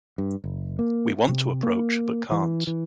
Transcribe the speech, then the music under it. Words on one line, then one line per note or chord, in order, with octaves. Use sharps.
We want to approach but can’t.
G2
F#1
A#3
C3
A#3
E3
E3